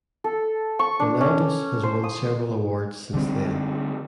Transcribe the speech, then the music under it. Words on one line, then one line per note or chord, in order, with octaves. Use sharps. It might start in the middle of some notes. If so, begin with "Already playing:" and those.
Ronaldus has won several awards since then.
A4
C#6
D4
C#4
C5
D#6
D3 G3 C4